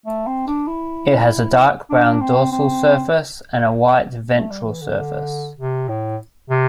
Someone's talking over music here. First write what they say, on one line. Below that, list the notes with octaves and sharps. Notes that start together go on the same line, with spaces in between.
It has a dark brown dorsal surface, and a white ventral surface.
A3
C4
D4
E4
D4
C4
C4
A3
G3
E3
D3
D3
C3
A2
C3